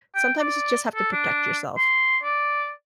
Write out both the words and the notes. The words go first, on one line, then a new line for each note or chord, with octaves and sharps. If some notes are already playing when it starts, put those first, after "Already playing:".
"Sometimes you just have to protect yourself."
G5
D5
A4
D4
C6
D5